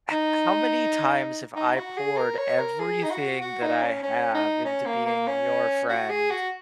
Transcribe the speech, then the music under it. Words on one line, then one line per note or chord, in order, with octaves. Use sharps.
"H how many times have I poured everything that I have into being your friend
D#4
D#4
F#4
G#4
A#4
C#5
A#4
G#4
D#4
F#4
F#4
D#4
C#4
C#4
D#4
C#4
A#3
A#3
C#4
F#4
G#4
F#4